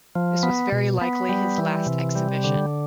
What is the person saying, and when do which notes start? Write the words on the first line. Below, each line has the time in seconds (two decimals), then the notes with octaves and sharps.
This was very likely his last exhibition.
0.15 F3
0.43 B3
0.72 B2
1.01 B3
1.29 G3
1.58 E3
1.86 C3
2.16 G3
2.44 D3